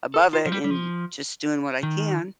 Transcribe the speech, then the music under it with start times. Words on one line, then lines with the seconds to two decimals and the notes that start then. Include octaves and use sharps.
above it and just doing what I can,
0.14 A4
0.33 F4
0.46 F3
0.52 G3
0.64 G3
0.71 F3
1.83 D#3